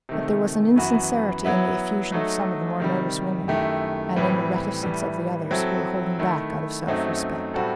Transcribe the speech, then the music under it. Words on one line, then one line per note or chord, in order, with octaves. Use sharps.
But there was an insincerity in the effusion of some of the more nervous women, and in the reticence of the others, who were holding back out of self-respect.
C3 D#3 A3
F#2 E3 B3 F#4
F#3 B3 E4
F#3 A3 D#4 A4
C3 D#3 G3
F#2 D#3 A3 E4 G4
A2 E3 G3 C4
A2 E3 G3
F#3 C4 E4 A4
D#3 A3 E4
F#2 F#3 A3 C4 D#4
A2 G3 C4 F#4 A4